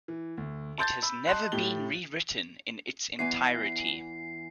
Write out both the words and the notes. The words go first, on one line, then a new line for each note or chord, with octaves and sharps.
It has never been rewritten in its entirety.
E3
D2
A5 C6 G6 A6
B5 E6
D#5 A5 C6 F#6
A2 G4 G7
E2 E3 G#5 C7